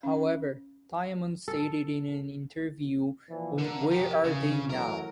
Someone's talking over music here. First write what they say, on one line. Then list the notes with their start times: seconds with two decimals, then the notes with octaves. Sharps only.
However, Diamond stated in an interview on Where Are They Now?
0.03 C#4 F5
1.48 A4
3.29 A#2 E3 F3
3.58 D3 A#4
3.91 F3 G4
4.24 E2 C#3
4.70 E3 F#3 A3 A#4